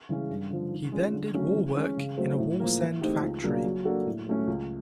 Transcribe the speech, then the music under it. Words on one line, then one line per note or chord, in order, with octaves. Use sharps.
He then did war work in a Wallsend factory.
C#3 E3 G#3 C#4
G2
D3 F3
D#3
G#3 C#4 F4
D3
F#3 A3 C#4
E3
G#3 C#4
C#3
F#3 A3 C4
A2
F3 A#3
E3
A3 C4 D#4 G4
C#2
C#3 F#3 A#3 D4
F#3
A#3 D4 F#4 A4
A2
F#3 A3 C#4
C#2